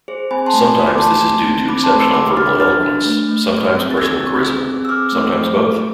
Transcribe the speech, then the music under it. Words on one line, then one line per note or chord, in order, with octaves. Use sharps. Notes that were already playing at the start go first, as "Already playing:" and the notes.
Sometimes this is due to exceptional verbal eloquence, sometimes personal charisma, sometimes both.
G#4 C5
C4 G#5 B5
A5 C6
A3
G#5 B5
F4 C6
D6
A3 A5 C6
A3
C4
C4 B5 D6
A5 C6
A3
C6 E6
G#4 B5 D6
D4 F6 A6
D4 F6 A6
D4
A3
A3
G#4
C4
A6
G#4 E6 G#6
C4
G#4
C4
E6
G#4 D6 F6
A3
A3
A3